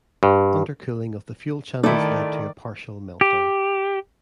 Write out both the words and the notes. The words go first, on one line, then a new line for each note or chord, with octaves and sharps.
Undercooling of the fuel channels led to a partial meltdown.
G2
D#3 A3 E4 A4 D5
G4